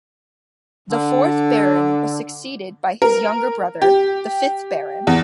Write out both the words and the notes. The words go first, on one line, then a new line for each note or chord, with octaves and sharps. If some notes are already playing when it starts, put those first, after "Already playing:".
The fourth baron was succeeded by his younger brother, the fifth baron.
D3
A#4
G4
E2